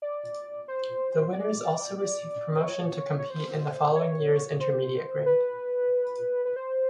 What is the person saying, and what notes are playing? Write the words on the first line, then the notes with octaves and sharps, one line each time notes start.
The winners also receive promotion to compete in the following years intermediate grade.
D5
C5
D5
D5
C5
C#5
C#5
C5
C#5
C5
B4
B4
C5